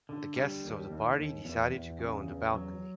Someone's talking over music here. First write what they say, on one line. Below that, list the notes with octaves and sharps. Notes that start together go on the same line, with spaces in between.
The guests of the party decided to go on the balcony.
D3
G3
D#2
D#2
D#2
E2
E2
C#3
E2
F#3